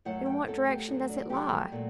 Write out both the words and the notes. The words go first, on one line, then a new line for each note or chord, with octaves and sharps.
'In what direction does it lie?'
F#2 F#3 A3 F#5
G5
F#2 F#3 A3 A4
G4
F#2 F#3 A3 F#4
D4
F#2 F#3 A3 G4
A#2 F#3 A3